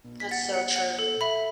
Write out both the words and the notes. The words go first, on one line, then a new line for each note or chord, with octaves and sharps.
That's so true.
B6
F#5 A6
F#5
F#5
A4
E5 B5